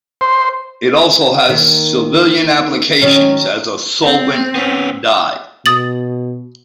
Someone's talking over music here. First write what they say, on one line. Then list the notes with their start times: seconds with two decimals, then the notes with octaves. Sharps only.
It also has civilian applications as a solvent dye.
0.21 C5
1.49 D#2 D#3 E5
3.02 D#3 F#3 C#4
4.04 C4
4.55 B3 C#4
5.66 B2 D#6 A6 F#7